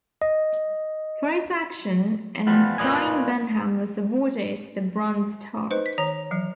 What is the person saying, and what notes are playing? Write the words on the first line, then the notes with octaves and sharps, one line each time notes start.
For his action, Ensign Benham was awarded the Bronze Star.
D#5
E3 F3 G3 B3 F4
A#3 F4 B4 D5 D#5 G#5
D#4 B4 C5 D#5
B6
D#3 C#5 A#5
E3 F#3